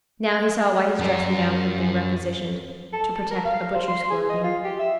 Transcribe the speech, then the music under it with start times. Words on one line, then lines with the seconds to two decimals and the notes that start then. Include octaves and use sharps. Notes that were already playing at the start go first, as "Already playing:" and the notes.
Now he saw why his dressing-gown had been requisitioned--to protect a butcher's clothing.
0.99 F#2 A#4
2.93 A4
3.16 A5
3.31 A#4
3.45 F5
3.75 C5
3.88 C6
4.10 G#4
4.29 D#5
4.44 F4
4.64 G4
4.79 E5